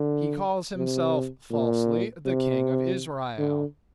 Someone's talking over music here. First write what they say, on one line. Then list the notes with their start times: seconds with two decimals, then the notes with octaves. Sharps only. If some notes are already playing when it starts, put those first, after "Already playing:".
He calls himself, falsely, the King of Israel.
Already playing: D3
0.76 C3
1.51 A#2
2.26 C3
3.38 D3